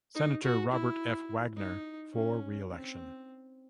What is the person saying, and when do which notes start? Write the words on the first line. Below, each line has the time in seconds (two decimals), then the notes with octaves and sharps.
Senator Robert F. Wagner for re-election.
0.15 D#4
0.43 F#4
0.71 E4
1.56 D#4
2.14 C#4
2.70 C4